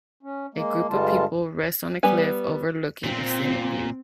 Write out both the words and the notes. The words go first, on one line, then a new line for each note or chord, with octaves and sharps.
A group of people rest on a cliff overlooking a scenic view.
C#4
G#3 A#3
G2 D3 G3 G#3 F4 A5
G3 B3 B4 G#5
A#2 C4